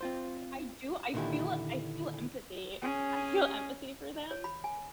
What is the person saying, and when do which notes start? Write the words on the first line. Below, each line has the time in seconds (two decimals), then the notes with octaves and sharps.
I I do I feel I feel empathy. I feel empathy for them,
0.01 C4 F4 C5
1.14 A#2 D3 D#3 E4 G4
2.81 C#4 G#4
4.31 C#5
4.44 B5
4.64 G#5